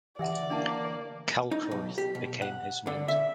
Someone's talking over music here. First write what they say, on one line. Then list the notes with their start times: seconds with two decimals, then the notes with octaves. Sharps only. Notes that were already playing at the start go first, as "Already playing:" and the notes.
Kalckreuth became his mentor.
0.19 E3 G4 D5 E5 F#5
0.50 A#3 D4 E4 A5
1.51 D#4
1.71 B1
1.98 G4
2.15 B2
2.42 F#5
2.87 D3
3.08 E5